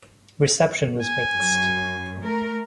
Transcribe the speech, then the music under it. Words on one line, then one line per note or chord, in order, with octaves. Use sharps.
Reception was mixed.
G#5
F#2
A3 A#4